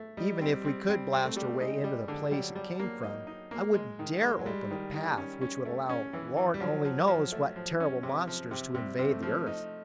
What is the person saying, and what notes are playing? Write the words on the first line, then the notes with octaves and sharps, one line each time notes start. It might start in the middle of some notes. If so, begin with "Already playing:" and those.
Even if we could blast our way into the place it came from I wouldn't dare open a path which would allow Lord only knows what terrible monsters to invade the earth.
Already playing: A3
G3 D#4
C4
G3
C4
G3 C4
C4
A3
G3
G#3 D#4
G3
D3
F#3 G3
G3
A#3
D#4
D#4
A#3
G#3
D#3
G#3
F#3
G3 G#3
D#3
D#3
C#4
C#4
A3
C#4
E3
E3
G3
F3 F#3
F3
F3
A3
F3
C#4
C3
F3
C3
C3 G3
C3
A3
F3
D#4